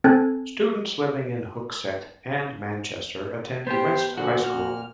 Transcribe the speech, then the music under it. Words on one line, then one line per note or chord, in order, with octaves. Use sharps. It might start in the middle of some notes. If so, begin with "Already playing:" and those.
Students living in Hooksett and Manchester attend West High School.
C4 A4 G#5 A5 F#6 G#6
B3 G4 C5
A#2 D3 F3 F#4
A#2 F6